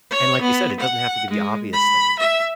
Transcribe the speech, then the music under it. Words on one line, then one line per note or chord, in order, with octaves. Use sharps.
and like you said, it doesn't have to be the obvious things,
C#5
B3
F#5
G#3
B5
E5